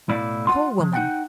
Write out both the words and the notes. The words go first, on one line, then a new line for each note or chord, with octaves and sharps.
"Poor woman!"
B1 A2 E4 D5 F5
F4 F#5 C6
F3
D#4 F#5 G5